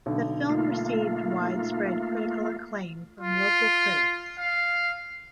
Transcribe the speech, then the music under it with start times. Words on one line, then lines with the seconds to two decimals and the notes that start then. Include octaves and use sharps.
The film received widespread critical acclaim from local critics.
0.06 B1 D3
0.49 A3 A#3 F4
3.20 F4
4.39 F5